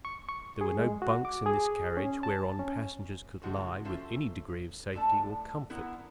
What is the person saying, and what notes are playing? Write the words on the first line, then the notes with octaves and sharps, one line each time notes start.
There were no bunks in this carriage whereon passengers could lie with any degree of safety or comfort.
C#6
C#6
G#4
G#3
F#4
D6
G#4
C#4
A5
C#4
A2 C#3 F3 G#3 F#4
F#3 C#4 F4 A4 C5 E5
A2 D3 A3 A4 D5 A5
D3 B3 E4 A#4 F#5 A#5